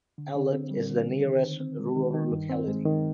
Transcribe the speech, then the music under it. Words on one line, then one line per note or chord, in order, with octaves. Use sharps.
Alak is the nearest rural locality.
D3
D3
C4
G3
D3
D3
D#3
D#3
C4
G#3
D#3
D#3
G2
C4
G#3
D#3